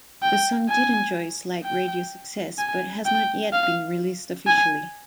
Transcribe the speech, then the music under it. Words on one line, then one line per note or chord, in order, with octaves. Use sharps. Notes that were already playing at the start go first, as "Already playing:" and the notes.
The song did enjoy slight radio success, but has not yet been released officially.
G5
G#5
G5
G#5
G5
F5
G#5